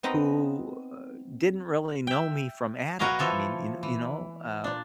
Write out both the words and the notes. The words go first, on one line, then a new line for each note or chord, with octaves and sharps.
who, uh, didn't really know me from Adam. I mean, you you know, uh,
B3 C4 D#4 D#5 A#5 B5
E5 G5
F#4 A#4 B4 C#5 D#5 F5
E3 F3 A4 C#5
E3
A#2 D4